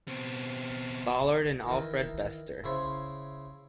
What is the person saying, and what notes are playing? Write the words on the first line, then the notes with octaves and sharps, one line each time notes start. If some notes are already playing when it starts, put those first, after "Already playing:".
Ballard and Alfred Bester.
B2 C4
D#3 E3
C#3 E4 C5 C#5